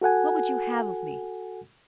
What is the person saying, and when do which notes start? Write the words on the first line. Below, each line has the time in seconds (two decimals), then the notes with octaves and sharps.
What would you have of me?
0.01 F#4 A4 F#5 G#5